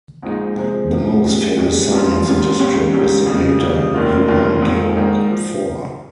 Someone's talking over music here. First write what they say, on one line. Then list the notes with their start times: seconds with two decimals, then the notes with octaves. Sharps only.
The most famous son of the district is the painter Johann Georg Pforr.
0.22 A#1 G#2 F3 G#3 D#4
0.56 C3 F3 G#3 C4
0.90 C3 F3 G#3 C4
1.24 A#2 G#3 C#4 G4
1.58 A#2 G#3 C#4 G4
1.92 A#1 G#2 G3 C#4 F4
2.25 A#1 G#2 G3 C#4 F4
2.59 A#1 G#2 G3 C#4 G4
2.93 A#1 G#2 G3 C#4 G4
3.26 F2 C#3 G3
3.60 F2 C#3 G3
3.94 F1 D#2 D#3 A#3 F4
4.28 F1 D#2 D#3 A#3 F4
4.62 A#1 G#2 D#3
4.96 A#1 G#2 D#3
5.31 F3